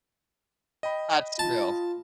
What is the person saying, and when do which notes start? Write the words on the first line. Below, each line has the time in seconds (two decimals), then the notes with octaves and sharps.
That's true.
0.83 D#5 G5 B5
1.39 F4 A5